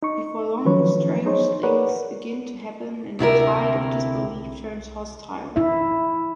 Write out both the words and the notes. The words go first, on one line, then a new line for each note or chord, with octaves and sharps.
Before long, strange things begin to happen, and the tide of disbelief turns hostile.
D#4 C#6
D#3 F3 F#3 A3 B4 C#5
D#4 G#4 C5 C#5
G#4 A#4 B4 C#5 D5 F#5
D2 C3 E4 A#4
E4 E5